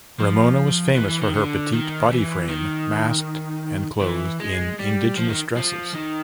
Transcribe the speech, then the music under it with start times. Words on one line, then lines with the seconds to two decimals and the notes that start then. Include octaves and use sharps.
Ramona was famous for her petite body frame masked and clothed in indigenous dresses.
0.20 F3
0.96 E3
1.09 E3
1.22 D#3
1.34 D3
1.73 D#3
2.12 E3
2.49 D#3
4.02 E3
4.40 G#3
4.79 G3
5.17 F3
5.30 D#3
5.56 F3
5.94 D#3